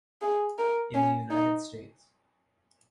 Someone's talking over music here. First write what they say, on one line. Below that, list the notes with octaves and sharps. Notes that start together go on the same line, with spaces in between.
In the United States.
G#4
A#4
C#4
D#4